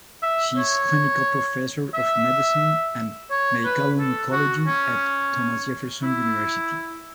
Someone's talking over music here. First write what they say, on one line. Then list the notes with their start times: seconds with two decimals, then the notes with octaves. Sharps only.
She is clinical professor of medicine and medical oncology at Thomas Jefferson University.
0.23 E5
0.57 C#5
1.94 E5
3.31 C#5
3.65 B4
3.99 A4
4.32 F#4
4.67 C#4
6.03 E4